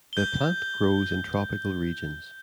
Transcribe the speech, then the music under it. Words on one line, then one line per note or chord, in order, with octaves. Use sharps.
The plant grows in tropical regions.
G6 G7